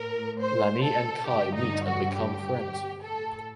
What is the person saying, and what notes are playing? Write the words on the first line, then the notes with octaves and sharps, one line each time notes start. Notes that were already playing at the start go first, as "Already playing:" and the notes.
Lani and Kai meet and become friends.
Already playing: A2 A#4
C5
A4
G2 D3 G4
D#4
F#4
G4
A2 A4